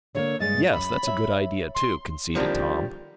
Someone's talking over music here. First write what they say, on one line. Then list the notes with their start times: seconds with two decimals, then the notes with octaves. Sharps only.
"Yes, that's a good idea, too," conceded Tom.
0.15 D3 A3 A#3 C#5
0.40 G2 G#3 D#5 A6
0.73 F#2 B5
1.03 C#5 E5
1.75 C6
2.35 D3 D#3 F3 G3 A#3 C4